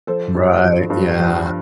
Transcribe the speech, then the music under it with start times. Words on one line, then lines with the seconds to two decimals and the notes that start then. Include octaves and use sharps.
Right, yeah.
0.07 F3 A4 C5
0.35 G2
0.64 F3
0.90 G2
1.18 F3